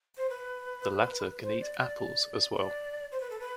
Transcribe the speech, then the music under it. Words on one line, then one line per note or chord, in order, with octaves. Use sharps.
The latter can eat apples as well.
C5
B4
C5
D5
D5
D5
C5
B4
A4
B4